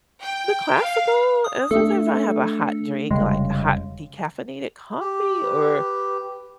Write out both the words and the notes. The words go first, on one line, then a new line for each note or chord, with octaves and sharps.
The classical and sometimes I have a hot drink, like, a hot decaffeinated coffee, or
G5
F5
D#6
A3 D4 A4
F1 C#3 G3 G#3
G4
B4